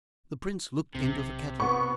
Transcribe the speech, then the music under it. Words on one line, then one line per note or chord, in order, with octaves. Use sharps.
The prince looked into the kettle.
B1 C3
B3 B5 C#6